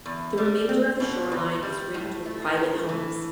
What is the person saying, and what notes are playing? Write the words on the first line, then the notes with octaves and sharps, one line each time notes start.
The remainder of the shoreline is ringed with private homes.
E2
G3
C4
B2
E2
G3
A2
A3
A2
E3